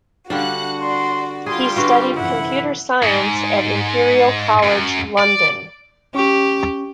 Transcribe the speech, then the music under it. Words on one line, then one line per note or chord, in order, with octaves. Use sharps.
He studied computer science at Imperial College London.
D3 G3 D4 F#4 F5 F#5 F#6
D5 C6
G3 F4 G#4 C6 D6
D3 F#4 B4 F5
F#2 C3 E3 E4 F#5
G#2
F#2
D5
C#4 G4 C#6